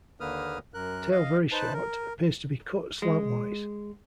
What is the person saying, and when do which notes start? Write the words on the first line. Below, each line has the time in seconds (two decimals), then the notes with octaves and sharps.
Tail very short, appears to be cut slant-wise.
0.20 D#2 D3 A#3 B4 D#6 F6
0.74 F#2 A#4 F#6
1.11 D#5 F5
1.52 D#4 B4 C5 A5 F#6
1.73 A#4
3.02 G#3